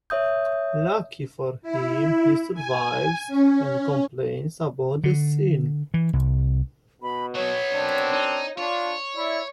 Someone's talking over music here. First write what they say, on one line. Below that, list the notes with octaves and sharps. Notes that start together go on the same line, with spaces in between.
Lucky for him, he survives and complains about the scene.
C#5 E5 D#6 G6
E4
G#5
C#4
D3
E3
C2
B2 B5
F#3 B3 C#5
F#2 C4 D4
D#4
D4 F4 C#5
E4 D5